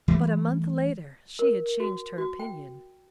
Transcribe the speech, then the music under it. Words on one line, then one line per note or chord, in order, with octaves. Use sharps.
But a month later she had changed her opinion.
E3 G3 A3
A#4
F#4
F#4
G5